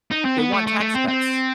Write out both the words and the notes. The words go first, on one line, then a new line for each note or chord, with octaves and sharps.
they want tax cuts.
D#4
C4
B3
A3
A3
A3
C4
C4